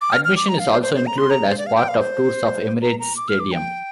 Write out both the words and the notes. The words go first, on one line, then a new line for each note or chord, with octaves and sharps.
Admission is also included as part of tours of Emirates Stadium.
D6
F6
F6
D6
A#5
F5
C5
C5
C5
A#5
C6
A#5
C5
D5
F5
G5
F5
C5
A#5
A#5
D6
F6
D6
G5